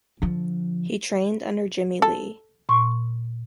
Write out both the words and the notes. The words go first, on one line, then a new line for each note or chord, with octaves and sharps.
He trained under Jimmie Lee.
D3 F3
A4
A#2 C6 C#6